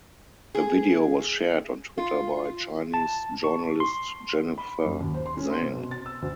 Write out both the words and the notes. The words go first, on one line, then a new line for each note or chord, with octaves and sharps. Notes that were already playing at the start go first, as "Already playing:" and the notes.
The video was shared on Twitter by Chinese journalist Jennifer Zeng.
G#4
F4
A5
C#6
C6
B5
F#2
D#2
C5
C6
C#4
C6
C3
B2
A6
E6
D2